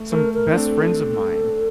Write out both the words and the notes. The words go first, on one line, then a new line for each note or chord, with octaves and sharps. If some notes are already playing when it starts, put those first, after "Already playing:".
some best friends of mine,
Already playing: A3
A3 A#4
A#4
D4
A3 C4 A4